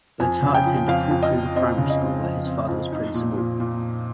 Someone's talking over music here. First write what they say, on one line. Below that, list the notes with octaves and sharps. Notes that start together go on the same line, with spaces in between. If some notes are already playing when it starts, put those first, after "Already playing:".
Botha attended Paul Kruger Primary School where his father was principal.
F2 G#5
C#3
G5
F3
F2 F5
F2
D#5
F3
C4 D#5
C#3
D#5
C4
F2
C4
F2
D#4
A#2
A#2
A#2